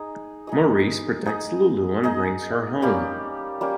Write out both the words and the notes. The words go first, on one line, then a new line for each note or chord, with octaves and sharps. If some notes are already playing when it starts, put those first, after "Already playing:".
Maurice protects Lulu and brings her home.
Already playing: D#4 G#4 D#5
D#4 G#4 D#5
D#4 G#4 D#5
D#4 G#4 D#5
G3 A#3 C#4 G4
G3 A#3 C#4 G4